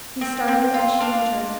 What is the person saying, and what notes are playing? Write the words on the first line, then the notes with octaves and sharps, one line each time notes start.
He started as she entered.
C4
C4
F4
D4 F5